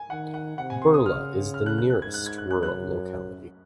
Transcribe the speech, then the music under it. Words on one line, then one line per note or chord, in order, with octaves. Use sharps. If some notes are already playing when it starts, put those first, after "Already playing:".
Burla is the nearest rural locality.
Already playing: G#5
D#3 F#5
F#5
C3 F#5
G#5
C6
D#6
C#3 F6
F6
F#6
F#6
F#6
G#2 G#6
F#6
G#6
F#6
F#2 F#6
F#6